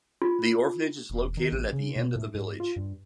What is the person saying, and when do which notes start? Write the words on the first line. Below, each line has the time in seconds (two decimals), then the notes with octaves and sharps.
The orphanage is located at the end of the village.
0.22 F4
1.10 E1
1.37 D#3
1.52 A1
1.73 C#3
1.96 B2
2.16 A2
2.35 G#2
2.60 F4
2.76 G2